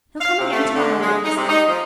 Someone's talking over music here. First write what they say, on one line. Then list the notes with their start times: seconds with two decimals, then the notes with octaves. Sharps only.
'He'll come again to-morrow night, he says.
0.21 F5
0.39 C3
0.52 A3
0.75 D3
1.01 G#3
1.25 D#4
1.36 C3
1.49 D#4
1.68 F3